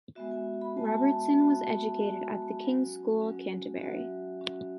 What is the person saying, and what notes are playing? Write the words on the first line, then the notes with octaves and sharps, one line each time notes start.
Robertson was educated at The King's School, Canterbury.
G#3 B3 F#4 E5
G#5
B5
G#3 B3 F#4 A5
G#5
A5
G#3 B3 F#4 B5
G#3 B3 F#4
F#3 C#4 F#4 G#5
F#3 C#4 F#4
F#3 C#4 F#4 E5
F#3 C#4 F#4